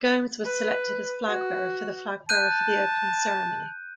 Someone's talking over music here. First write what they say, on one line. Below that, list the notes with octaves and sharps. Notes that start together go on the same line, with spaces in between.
Gomes was selected as flag bearer for the flag bearer for the opening ceremony.
B4
F#4
A5 F#6 G6 D#7